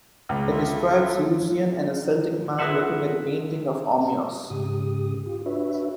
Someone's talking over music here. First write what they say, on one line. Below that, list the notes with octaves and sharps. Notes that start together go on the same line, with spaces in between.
It describes Lucian and a Celtic man looking at a painting of Ogmios.
C#2
F4 A4 E5
F4 G#4 A#4 B4 E5 F#5
G#2 C#3 G4 D#6
F4 G4
D4 F#4 B4 C#5 E5